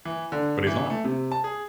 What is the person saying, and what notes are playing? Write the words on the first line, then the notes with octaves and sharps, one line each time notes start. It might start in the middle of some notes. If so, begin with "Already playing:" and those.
but he's not.
E3
D3
E3
A3
C3
A5
G#4